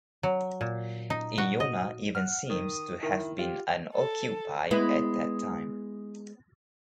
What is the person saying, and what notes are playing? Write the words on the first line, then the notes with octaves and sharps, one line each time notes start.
Iona even seems to have been unoccupied at that time.
F#3
A#2
D#4
F#4
D#5
F#5 F6
D#3 D#6
D#3 E4
F4 G4
A4
G#3 B3 E4